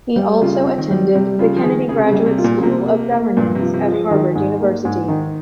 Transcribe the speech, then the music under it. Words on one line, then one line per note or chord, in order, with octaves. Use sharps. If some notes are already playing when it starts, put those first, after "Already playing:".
He also attended the Kennedy Graduate School of Governance at Harvard University.
G3
C#3 F4
C4
D#3
G3
C3 G3
C#3 F4
F3
D#3 G#4
C#3 G#4
C3
C#3
G3
C3
F4
A#2
C#3
C3 A#3
A#3
A#3
G2 A#2
C3
F3
C3
F3
G#3
D#3 G#3
G#2
A#3
G#2
D#3